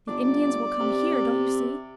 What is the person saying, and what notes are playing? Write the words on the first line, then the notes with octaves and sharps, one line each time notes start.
The Indians will come HERE, don't you see?
G1 D5
C3